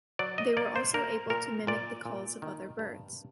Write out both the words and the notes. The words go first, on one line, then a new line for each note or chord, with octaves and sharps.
They were also able to mimic the calls of other birds.
F#3 D5
D#5
A#3 D5
C5
A#3 A#4
A#2 A#4
A#2 D5
A#2
D#3
G2